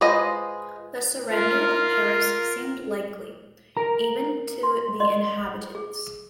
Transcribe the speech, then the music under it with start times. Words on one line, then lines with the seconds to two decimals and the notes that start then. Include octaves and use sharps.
The surrender of Paris seemed likely, even to the inhabitants.
0.01 G#3 F4 B4 C5 D#5
1.31 F4 A#4
3.77 A#4 A#5
4.63 C6
5.00 D5 D#5 C6
5.75 G#4